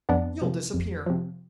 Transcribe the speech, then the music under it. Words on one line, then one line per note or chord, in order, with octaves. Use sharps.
You'll disappear.
F2 B3 D4
C3 F3
F2
C3 F3